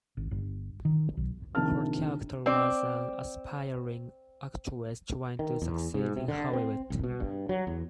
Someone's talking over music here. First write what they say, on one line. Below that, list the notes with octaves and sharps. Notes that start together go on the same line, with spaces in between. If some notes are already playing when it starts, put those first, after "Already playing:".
Her character was an aspiring actress trying to succeed in Hollywood.
G#1
G1
D#3
B1
A#1 C3 D#3 A5 F6
C4 D5
D#3
E2
G#2
C3
D3
C4
C2
B2
G2
F#3
E2